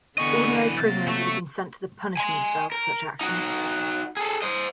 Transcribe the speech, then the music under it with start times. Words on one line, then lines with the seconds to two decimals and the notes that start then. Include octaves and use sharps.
Ordinary prisoners would have been sent to the punishment cell for such actions.
0.18 D3 E3 B3 D#5 C#6
0.77 C3 F#3 A#3 A6
1.08 A3 C#6
2.17 G#5 C6
2.72 A#4
3.21 D#4 F#4
4.17 G#4 A4
4.42 C5 D#5